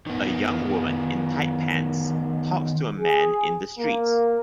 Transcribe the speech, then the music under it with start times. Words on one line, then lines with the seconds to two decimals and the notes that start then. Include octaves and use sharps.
A young woman in tight pants talks to a man in the street.
0.06 D#3 B3
2.99 G#4
3.79 A#3